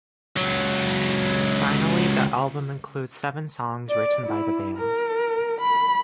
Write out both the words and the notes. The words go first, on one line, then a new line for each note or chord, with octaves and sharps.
Finally, the album includes seven songs written by the band.
C#2 F#3
D5
E4
A#4
B5